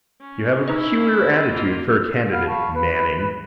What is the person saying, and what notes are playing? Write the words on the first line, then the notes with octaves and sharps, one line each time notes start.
"You have a peculiar attitude for a candidate, Manning."
C#4
D#4 E4 B4 D#5
A#3 F4
F5 F#5 B5 F6
F5 A5 B5 C#6
B4 B5